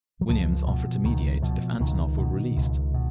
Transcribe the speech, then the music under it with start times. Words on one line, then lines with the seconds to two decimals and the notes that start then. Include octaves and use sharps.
Williams offered to mediate if Antonov were released.
0.21 F#3
0.29 C#2 F3
0.67 B2
1.04 C#2 D#3
1.42 B2 F3
1.80 C#2 D#3
2.18 B2
2.56 C#2
2.94 B2